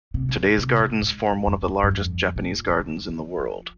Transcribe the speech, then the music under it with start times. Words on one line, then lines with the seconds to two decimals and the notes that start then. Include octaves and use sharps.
Today's gardens form one of the largest Japanese gardens in the world.
0.14 C3
0.29 C3
0.36 D3
0.58 C3
0.80 A#2
1.02 G#2
1.31 F2
1.39 G2
1.47 F2
1.62 F2
1.83 G2
1.91 F2
2.36 A#2
2.70 D#3
2.79 D3
3.09 F3
3.39 F3